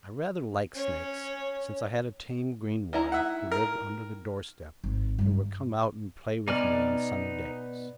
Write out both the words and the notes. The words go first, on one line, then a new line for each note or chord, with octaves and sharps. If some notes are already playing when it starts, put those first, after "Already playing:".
I rather like snakes, since I had a tame green one, who lived under the door-step, and would come out and play with me on sunny days.
C#4 C#5
D#3 E4 A#5
E5 F#5
A#4
G#1
G2 D#3
B2 B3 D#4 D5 D#5 G#5 F6